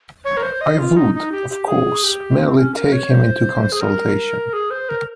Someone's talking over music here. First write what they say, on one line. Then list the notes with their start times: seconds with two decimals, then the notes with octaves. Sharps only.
I would, of course, merely take him into consultation.
0.25 C#5
0.37 A#4
0.43 C5
0.61 D#5
0.78 F4
0.97 D#4
1.14 D#4
1.32 G4
1.50 G4
1.68 G#4
2.03 G4
2.39 C4
2.57 C#4
2.75 A#4
2.92 C#5
3.11 C5
3.72 G#4
3.81 A#4
4.53 G#4
4.70 C5
4.89 A#4